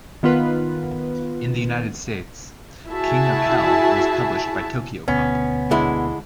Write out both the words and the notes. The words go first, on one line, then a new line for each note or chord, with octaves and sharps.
In the United States, "King of Hell" was published by Tokyopop.
D#3 B3 F4 B4
E4 F#4 G#4 E5 A5
D2 B2 B3 C#4
D3 G#3 E4